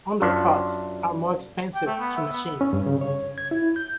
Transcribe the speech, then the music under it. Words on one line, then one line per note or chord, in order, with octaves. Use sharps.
Undercuts are more expensive to machine.
F#2 D4 F4
G5
A3
B3
E5
B3
C#4
G2
C#3
C#5
G#6
E4
G6